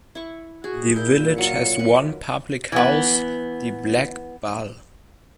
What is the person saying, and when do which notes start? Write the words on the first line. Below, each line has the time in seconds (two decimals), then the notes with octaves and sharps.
The village has one public house, The Black Bull.
0.15 E4 C#6
0.64 F#4 G#4
0.96 A#2 E4 A#4 G6
1.38 F#3 F4 C#7
1.79 A#4 B4
2.72 E3 B3